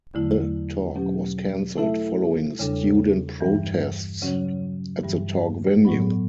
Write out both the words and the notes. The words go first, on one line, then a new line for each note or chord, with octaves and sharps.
The talk was cancelled following student protests at the talk venue.
E2 D3 F#3 A3 E4
B2 F#3 C#4 G4
A3 E4 A4 E5
E2 C#3 G3 D4 A4
G2 E3 G3
C#3 F#3 C#4 F#4 C#5
G2 E3 G3
A2 F#3 B3